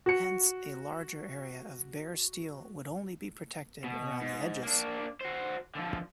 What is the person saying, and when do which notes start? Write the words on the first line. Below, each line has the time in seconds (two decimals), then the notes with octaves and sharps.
Hence, a larger area of bare steel would only be protected around the edges.
0.06 F#4 C#7
3.84 B2
4.22 G#2
4.63 A#3 D4
5.21 F#4 C5
5.75 D3 F3